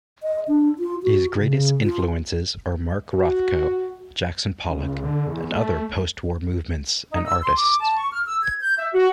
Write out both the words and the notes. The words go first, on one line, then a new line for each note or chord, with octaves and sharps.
His greatest influences are Mark Rothko, Jackson Pollock, and other post-war movements and artists.
D#5
D4
F4
F#4
C#3
F4
F#4
C#2
D3
E2
A3
D#4
E6
C6
D6
A5
C#6
F6
E6
G#6
G6
E5
F#4